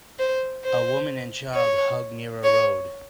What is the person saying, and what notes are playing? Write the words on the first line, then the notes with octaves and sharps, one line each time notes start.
A woman and child hug near a road.
C5
C5
C#5
C#5